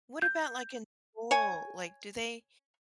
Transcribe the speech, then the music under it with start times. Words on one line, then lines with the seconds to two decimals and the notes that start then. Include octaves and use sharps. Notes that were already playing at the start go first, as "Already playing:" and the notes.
What about, like, in school, like, do they
0.22 G6
1.31 C#5 G#5